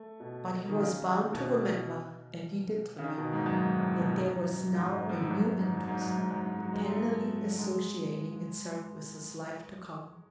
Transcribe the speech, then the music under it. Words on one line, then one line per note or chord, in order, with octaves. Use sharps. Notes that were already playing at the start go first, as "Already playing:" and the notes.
But he was bound to remember--and he did remember--that there was now a new interest, tenderly associating itself with his life to come.
Already playing: A3
B2
D#3
C#3
B2
C#3
D#3
B2
G#2
F#2
G#2
A2
B2
F#2
G#2
A2
G#2
F#2
F#2
G#2
F#2
G#2
F#2
G#2
F#2
G#2
F#3
G#3
A3
F#3
G#3